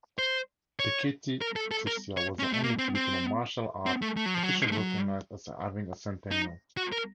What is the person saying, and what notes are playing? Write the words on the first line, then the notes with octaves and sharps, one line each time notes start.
Pekiti-Tirsia was the only Filipino Martial Art officially recognized as having a centennial.
C5
C#5
A#4
A4
A4
A#4
C#5
C#4
C4
A3
A#3
C4
C4
C4
A3
A3
F#3
F3
F#3
A3
F#3
D#4
F#4
A#4